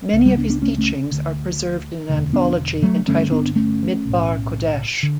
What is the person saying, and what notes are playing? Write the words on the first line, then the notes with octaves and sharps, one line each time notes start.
Many of his teachings are preserved in an anthology entitled "Midbar Kodesh".
C#2 C#3
G3 B3
B3 D4
B3 D4
A3 C#4
A3 C#4
D2 D3
E1 D2 D3
B3 D4
F#3 A3
G1 G2 D3 A3 C#4
B3 D4
A3 C#4
B1 A2
D3